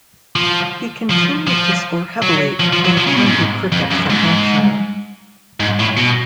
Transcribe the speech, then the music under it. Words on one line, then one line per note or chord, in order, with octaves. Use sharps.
He continued to score heavily in county cricket for Hampshire.
F3
F3
F3
F#3
F3
F3
F#3
F3
C#3
B2
G#2
F2
F#2
G#2
G#2
A2
B2